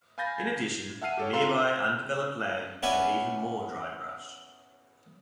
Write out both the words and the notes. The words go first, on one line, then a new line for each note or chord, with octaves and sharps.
In addition, the nearby undeveloped land had even more dry brush.
F5 G#5 B5 G6 A6 A#6
G#6
E5 F#5 A5 F6 C7 D#7
G4 A4 C#5
F4 A4 B4 F5 A#5 C6
C5
B3 C#4 E4 B4 D5 G#5